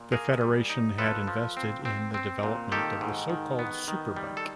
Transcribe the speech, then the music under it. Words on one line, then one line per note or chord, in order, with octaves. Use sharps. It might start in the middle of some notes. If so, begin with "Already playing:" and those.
The federation had invested in the development of the so-called SuperBike.
Already playing: A#2
A#3 G#4 A#4
G3
D#4
F3 A4 B4
F3
C4
C4
C4
A#2
D#3 G4 A4
G#2
D#3
B3
D#3
G3
A4